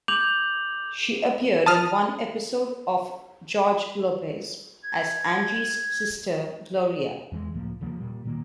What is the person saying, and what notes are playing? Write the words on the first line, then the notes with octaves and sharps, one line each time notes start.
She appeared in one episode of "George Lopez" as Angie's sister, Gloria.
D6 G6 F7 F#7
A5 D#6 F6
G#6
E2 E3 G3 G#3
C#2 A2 F3 A#3
D#2 C#3 F3 A#3
A#2 G3
D1 A#2 D#3 A#3